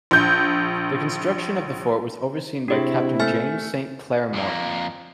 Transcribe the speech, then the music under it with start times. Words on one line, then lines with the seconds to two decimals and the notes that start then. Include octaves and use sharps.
The construction of the fort was overseen by Captain James Saint Clair Morton.
0.11 A#1 G6
2.68 C3 D4 E4 G4 G#4
3.20 A3 G#5 F6 A6
4.33 F2 A#3